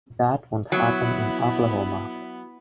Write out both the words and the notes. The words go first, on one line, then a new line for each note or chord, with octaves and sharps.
That won't happen in Oklahoma.
F#3 B3 E4